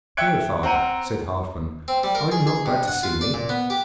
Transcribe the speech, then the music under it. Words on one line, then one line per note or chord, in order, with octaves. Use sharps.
'Dear father,' said Halfman, 'are you not glad to see me?
E5 G5 F#6 G#6 C#7 D7
C4 F#5 A#5 D#7
C4
G3
A#4
G#4
G#4
G2
F#5
F4
D5
A#2
B3
G4